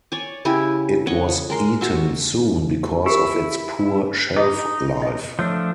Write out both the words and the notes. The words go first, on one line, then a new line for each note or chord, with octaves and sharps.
It was eaten soon because of its poor shelf life.
C#5 D5 G#5
C#3 E4 G4 G#5
C#5 D#5 F#5
G#3 A#4 C6
F#4 E5
E4 G4 A#4
D#4 G#4 D#5 D#6
D#5
F3 A3 D4 C#5